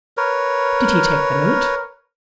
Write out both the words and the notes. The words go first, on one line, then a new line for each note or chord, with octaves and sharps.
"Did he take the note?"
A#4 B4 C#5